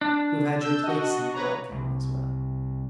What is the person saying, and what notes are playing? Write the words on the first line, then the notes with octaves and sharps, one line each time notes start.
You have had your place in the dog-kennel as well.
D4
E6 G6
F#4 D#5
B4 C#5 A#5
C2